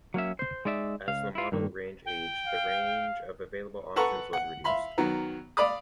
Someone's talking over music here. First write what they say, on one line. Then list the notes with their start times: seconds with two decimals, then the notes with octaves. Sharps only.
As the model range aged, the range of available options was reduced.
0.14 F#3 A#3 C#4 E5
0.39 C5
0.65 G#3 D#4 D5 E5
1.08 C#2 F5
1.35 E4 F4
1.52 G2 D#3 A#3
2.05 G5
2.46 F5
3.96 A4 B4 F#5 A#5 C#6
4.33 F#5
4.64 E5 F5 B5 C6
4.98 D#3 F#3 B3
5.57 D5 F5 B5 D6 D#6